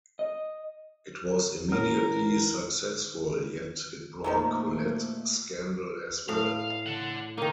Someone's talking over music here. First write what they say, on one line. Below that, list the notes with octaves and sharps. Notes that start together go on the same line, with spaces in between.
It was immediately successful, yet it brought Colette scandal as well.
D#5
E3 C#4 A#4 F6
A#2 D#3 F3 F#3 A3
A2 F5
A4 F#5
D#3 A#3 D#4